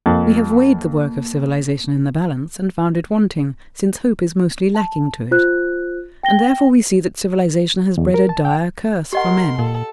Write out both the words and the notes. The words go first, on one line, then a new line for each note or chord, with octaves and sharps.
We have weighed the work of civilization in the balance and found it wanting, since hope is mostly lacking to it, and therefore we see that civilization has bred a dire curse for men.
F2 A#3
A5
F4 C5 F#6
G5 A#6 G7
E2
A#4
A5
G5
G4 A#4 D#5 F#5 C6
A#2 A4